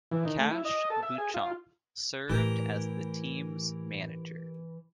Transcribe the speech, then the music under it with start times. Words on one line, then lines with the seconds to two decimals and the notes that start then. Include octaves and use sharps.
Kash Beauchamp served as the team's manager.
0.11 E3
0.25 D#3
0.38 A3
0.51 E4
0.65 D#5
0.90 A4
1.03 E5
1.18 G#4
1.34 F4
2.30 A2 E3 G4 A#4